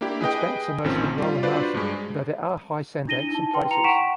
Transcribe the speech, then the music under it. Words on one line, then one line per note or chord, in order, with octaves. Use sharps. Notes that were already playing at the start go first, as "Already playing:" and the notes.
Its banks are mostly low and marshy, though there are high sandbanks in places.
A#3 D4 E4 G4
G#4 B4 D#5 G5
A1 F2 A#2 D#3 C4 C#4
G3 F4
D4 F4 F#4 B4 C5 D5
G2 G#3
D4 E4 A#6 D#7 G7
D#4 A5
E4 B4 G5 C6
A#5 C#7 F7
F#5 G5 C#6 B6 D7 E7